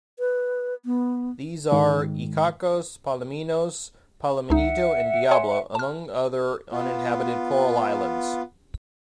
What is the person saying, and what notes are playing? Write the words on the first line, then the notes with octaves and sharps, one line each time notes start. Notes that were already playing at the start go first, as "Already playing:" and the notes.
These are Icacos, Palominos, Palominito, and Diablo, among other uninhabited coral islands.
B4
B3
G#2 D#3 G#3
C#2 D#4 E5 F#5
C#5 G#5 C6
A5 F6
B3 F4